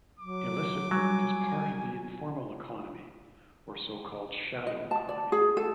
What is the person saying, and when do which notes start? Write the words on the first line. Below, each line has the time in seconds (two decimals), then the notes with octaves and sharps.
Illicit work is part of the informal economy or so called "shadow economy".
0.20 F#3 D6
0.91 F#3 G3 G#5
4.67 D#5
4.91 A5
5.09 D5
5.32 G#4
5.57 A4